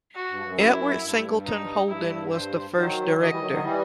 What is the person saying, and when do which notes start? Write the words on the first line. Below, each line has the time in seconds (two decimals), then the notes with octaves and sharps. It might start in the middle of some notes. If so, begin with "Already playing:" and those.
Edward Singleton Holden was the first director.
0.15 F#4
0.30 G2
0.45 F#2
0.59 E4
1.02 G2
1.45 D#4
1.88 G2 E4
2.31 C5
2.75 D#3 F#3 C5
3.18 D#3 F#3 D#5
3.30 E3 G3
3.40 D#3 F#3
3.51 D#3 F#3
3.62 E3 G3